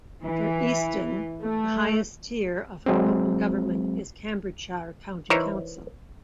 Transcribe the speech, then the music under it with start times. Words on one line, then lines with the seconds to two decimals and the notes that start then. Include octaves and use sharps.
For Easton the highest tier of local government is Cambridgeshire County Council.
0.22 E3
1.42 A3
2.86 F#3 G#3 C4
5.30 E3 D#4 E4 A#4 C5 C#5